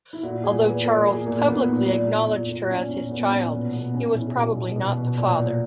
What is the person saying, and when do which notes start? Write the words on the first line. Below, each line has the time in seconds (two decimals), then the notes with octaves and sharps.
Although Charles publicly acknowledged her as his child, he was probably not the father.
0.13 E4
0.23 A#2 F#4
0.44 A#2 G#4
0.65 A#2 B4
0.85 A#2 A#4
1.05 A#2 G#4
1.26 A#2 A#3
1.47 A#2 B3
1.67 A#2 D#4
1.88 A#2
2.08 A#2
2.29 A#2
2.49 A#2
2.70 A#2 C#4
2.91 A#2 C#4
3.11 A#2 B3
3.32 A#2 C#4
3.52 B2 B3
3.73 B2 B3
3.93 B2 C#4
4.14 B2 E4
4.26 G#4
4.35 B2 F#4
4.55 B2
4.76 B2
4.97 B2
5.17 A#2
5.38 A#2